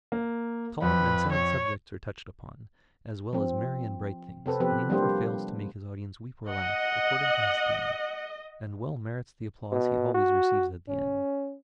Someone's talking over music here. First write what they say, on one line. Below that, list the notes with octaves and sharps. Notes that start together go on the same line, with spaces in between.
Solemn and sad subjects are touched upon, as well as merry and bright things, and he never fails to make his audience weep or laugh, according to his theme, and well merits the applause he always receives at the end.
A#3
F2 B4
C#5
F3 C4
C3 C4 A4 B4
F3 B3 G4 B4
G3 A#3 D4 G4 C5
D#5 F#5
B2
F#4
C#4